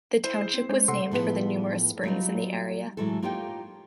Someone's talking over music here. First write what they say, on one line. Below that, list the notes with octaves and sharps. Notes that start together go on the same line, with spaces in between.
The township was named for the numerous springs in the area.
E4 C5
G#4
C4
G#3 C#4 C5 C#5
C3 A4 F#5 C6
A2 F3 B3 G#4 B4 F#5
F#3 G3 D#4 F4
A2 E3 F#3 G#3 A4
A#3 D#4 F4 G4 C#5 G5